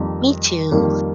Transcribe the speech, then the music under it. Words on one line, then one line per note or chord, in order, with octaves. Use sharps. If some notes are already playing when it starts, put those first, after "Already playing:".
Me too.
Already playing: F2 D#3 G3 A#3 A#5
F2 D#3 G3 A#3